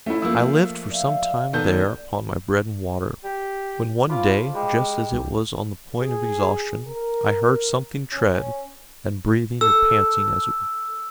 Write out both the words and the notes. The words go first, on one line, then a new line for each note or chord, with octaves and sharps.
I lived for some time there upon my bread and water, when one day, just as it was on the point of exhaustion, I heard something tread, and breathing or panting as it moved.
A3 C#4 E4
F3 A#3 E6
D5 E5 F5
D#3 B3 A4 D5 G6
G4
F3 F4 B5 D6
G3 G#3
C2
G#4
A#4
C#4
A4 E6